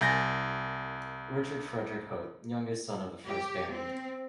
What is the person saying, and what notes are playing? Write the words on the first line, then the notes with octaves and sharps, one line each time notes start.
Richard Frederick Hope, youngest son of the first Baron.
C2 G#5 G6 A6 A#6
G4
C4